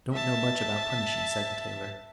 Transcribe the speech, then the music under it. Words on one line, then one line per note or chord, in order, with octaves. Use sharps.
"I don't know much about punishing," said the tailor.
E5 A5